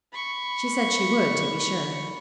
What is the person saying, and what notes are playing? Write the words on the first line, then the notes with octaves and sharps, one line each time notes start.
She said she would, to be sure.
B5 C#6